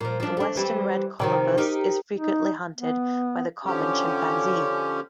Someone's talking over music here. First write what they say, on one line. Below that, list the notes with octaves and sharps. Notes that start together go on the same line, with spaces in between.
The western red colobus is frequently hunted by the common chimpanzee.
A#2 F3
F3 D4
A3 D4
E3 G3 C4
C3 D#3 F3
D#4 G4 A#4
D#4
B3
D3 F3 C#4 G4